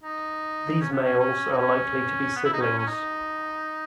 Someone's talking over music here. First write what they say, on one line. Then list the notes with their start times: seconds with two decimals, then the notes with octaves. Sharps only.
These males are likely to be siblings.
0.03 D#4
0.81 C#4
0.91 B3
1.03 C#4
1.19 C#4
1.52 D#4
1.58 C#4
2.35 B3
2.45 E4
2.53 D#4
2.61 C#4
2.79 C#4
2.87 D#4